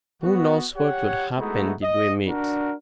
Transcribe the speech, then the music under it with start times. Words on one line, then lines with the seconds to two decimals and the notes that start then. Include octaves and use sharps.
Who knows what would happen did we meet.
0.23 B3 F#4
0.76 G4 C#5 F#5
1.38 G#3 A3 B3 D#4 E4 F#4
1.82 D#5
2.27 D4 F#4 A#4